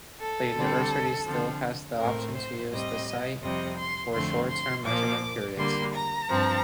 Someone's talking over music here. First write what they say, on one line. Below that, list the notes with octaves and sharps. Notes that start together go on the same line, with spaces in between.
The university still has the option to use the site for short-term measurement periods.
A4
D3 G3 C4
D3 F3 C4
A2 A3 C4 A#4
C5
A2 G3 C4 D#5
F2 C3 G3 C4 D#5
C6
F2 D3 A3 C4 C6
C6
A#2 F3 A#3 D6
D3 G3 A#3 C6
A#5
G2 F3 C4